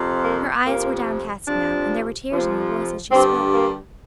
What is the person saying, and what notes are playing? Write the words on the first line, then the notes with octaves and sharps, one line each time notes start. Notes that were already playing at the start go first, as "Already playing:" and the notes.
Her eyes were downcast now, and there were tears in her voice as she spoke.
Already playing: F2 C3 F3
A#3
F2 C3 F3 A#3
F2 C3 F3 D4
F2 C3 F3
G2 D3 G3 C4
A#3